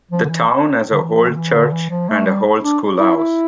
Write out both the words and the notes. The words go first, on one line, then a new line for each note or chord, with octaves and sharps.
The town has an old church and an old schoolhouse.
F3
D3
E3
D3
E3
F3
D3
E3
D3
E3
F3
A3
G3
D4
E4
E4